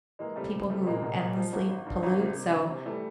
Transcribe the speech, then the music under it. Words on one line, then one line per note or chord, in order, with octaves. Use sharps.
people who endlessly pollute, so
E3 G#3 A#3
C3 G3 A3
C#2
C3 G3 A3
A#2 G#3 A#3
C2
A#2
F3
G#1
G#1
G2
G#1
C3
C3
D2
C3
E3 G3 A3